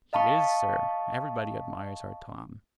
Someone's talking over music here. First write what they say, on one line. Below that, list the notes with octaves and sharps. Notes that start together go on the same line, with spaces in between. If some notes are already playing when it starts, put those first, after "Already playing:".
"He is, sir; everybody admires our Tom."
D#5 F5 A5 B5 C#6